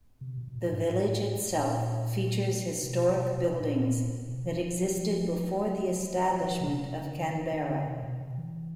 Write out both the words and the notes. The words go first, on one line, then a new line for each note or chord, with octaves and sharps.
The village itself features historic buildings that existed before the establishment of Canberra.
C3
B2
B2
A#2
G#2
A2
A#2
C3
B2
B2
C3
A#2
B2
E3
F3
F#3
F3
F#3
F#3
F#3
F3
F#3
F3
C#3
C3
C#3
D#3
E3
D#3
D3
C3
B2
C3
E3